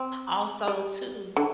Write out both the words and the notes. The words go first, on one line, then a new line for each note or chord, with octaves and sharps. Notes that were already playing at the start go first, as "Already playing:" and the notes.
also too
Already playing: C4
G3
D3